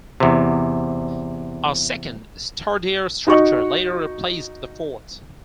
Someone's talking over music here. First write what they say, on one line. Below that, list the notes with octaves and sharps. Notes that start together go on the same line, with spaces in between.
A second, sturdier structure later replaced the fort.
E2 C3
D#4 F#4 D#5 C#6